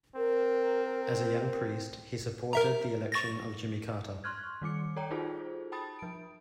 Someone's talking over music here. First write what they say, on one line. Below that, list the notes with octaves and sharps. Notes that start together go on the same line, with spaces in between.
As a young priest, he supported the election of Jimmy Carter.
C4 A#4
A#4 E5 A#5
C#6 A6 A#6
C6 C#6 F6 F#6 G#6
D#3 G3 D6 C#7
A4 C#5 D5 G5 A#5
D#4 F4 F#4 G#4 A4 C5
G5 A5 B5 D#6 A6
F3 D7